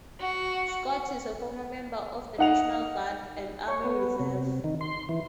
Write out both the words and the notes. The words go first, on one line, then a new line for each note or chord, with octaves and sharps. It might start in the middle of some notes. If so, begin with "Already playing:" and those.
Scott is a former member of the National Guard and Army Reserve.
F#4
D#4 F#5 F7
C#5
B3
C3
D#3
C6
E3